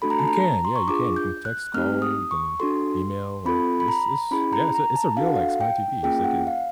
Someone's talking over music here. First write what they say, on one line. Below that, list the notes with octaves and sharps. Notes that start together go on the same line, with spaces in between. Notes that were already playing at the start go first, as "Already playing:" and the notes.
You can, yeah, you can. You can text, call, you can email, like, this is yeah, it's a it's a real, like, smart TV. It's like a
A3 D4 F#4 A4 B5
A#5
A5
A#5
C6
C#6
D4 F4 G#4 D6
G6
F#6
A3 C4 D#4 G4 F6
D#6
C#6
D4 F#4 A4 C6
C4 F4 A4 B5
B5
A#5
C#4 E4 G#4 B5
A#5
A#5
A5
D4 F#4 A4 F5
F#5
F5
G5
A#3 C#4 F4 G#4 G5
F#5
F5